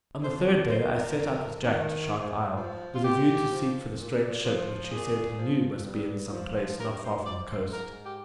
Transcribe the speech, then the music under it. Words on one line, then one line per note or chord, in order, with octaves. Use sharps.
On the third day I set out with Jack to Shark Isle, with a view to seek for the strange ship which he said he knew must be in some place not far from the coast.
F2 C5
D5
D#3 C5
A#4
F2
D#3
G#2
F3
F4
G#2 G4
F3
A#2
F3
A#2 G#4
F3
G2
F3
G2 A#4
C5
F3 D5
C5
G#2 A#4
G4